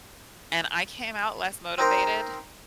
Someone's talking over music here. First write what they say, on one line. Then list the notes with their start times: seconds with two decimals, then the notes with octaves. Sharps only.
and I came out less motivated
1.78 C4 D#4 A#4 C5